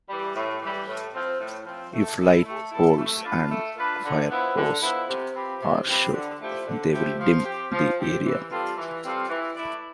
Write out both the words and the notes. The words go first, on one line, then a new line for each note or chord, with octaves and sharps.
If light poles and firepots are shot, they will dim the area.
E3 G3
A2
E3 G3
A2
F3 C4
A2
F3 C4
A3
E4 A4
A3
E4 A4
A3
D4 F4 B4
A3
D4 F4 B4
D3
F3 B3 E4
D3
F3 B3 E4
C3
F3 C4 G4 B4
C3
F3 C4 G4 B4
D3
F3 A3 E4 G4
D3
F3 A3 E4 G4
F3
C4 G4
F3
C4 G4
E3
G3 C4 F4 A4
E3
G3 C4 F4 A4
E3
A3 E4 B4 D5